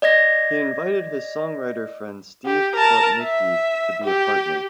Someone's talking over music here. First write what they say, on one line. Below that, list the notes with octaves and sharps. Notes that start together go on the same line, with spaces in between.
He invited his songwriter friend Steve Plotnicki to be a partner.
D5 D#5 G#6 A#6
G4
A#4 A5
E5
G4